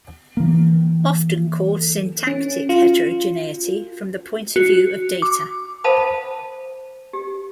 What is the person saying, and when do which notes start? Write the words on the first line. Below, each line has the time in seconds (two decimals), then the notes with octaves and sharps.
Often called syntactic heterogeneity from the point of view of data.
0.37 E3 A#3
2.27 C#4
2.69 F4
4.56 F#4
5.22 D6
5.84 C5 F5 A5 B5 D#6
7.13 G4